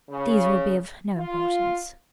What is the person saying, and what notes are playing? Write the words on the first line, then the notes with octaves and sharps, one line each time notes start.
These will be of no importance.
C#3
F4